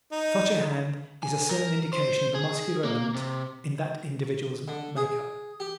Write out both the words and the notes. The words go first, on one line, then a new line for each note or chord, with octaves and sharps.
Such a hand is a certain indication of the muscular element in that individual's makeup.
D#4
G#5
A#4
C5
G#4
A#3
C3
D3
G#4
G4